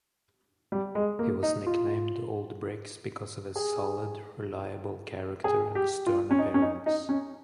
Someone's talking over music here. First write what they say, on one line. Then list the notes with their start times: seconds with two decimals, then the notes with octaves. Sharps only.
He was nicknamed "Old Bricks" because of his solid, reliable character and stern appearance.
0.72 G3
0.95 G#3
1.19 A#3
1.43 D#4
1.67 F4
3.56 G#4
5.44 G#4
5.75 G4
6.06 F4
6.31 C#4
6.39 D#4
6.54 C#4
6.62 D#4
6.86 D#4
7.09 C#4